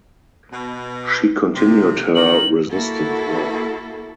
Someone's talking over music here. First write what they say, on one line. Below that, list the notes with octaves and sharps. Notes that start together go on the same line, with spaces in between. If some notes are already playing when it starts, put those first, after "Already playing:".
She continued her resistance work.
B2
C3
D#3 F#7
A#3 E4 F#4 A4